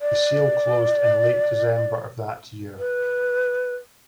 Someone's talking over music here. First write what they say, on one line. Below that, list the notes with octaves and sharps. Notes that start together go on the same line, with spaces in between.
The sale closed in late December of that year.
D5
B4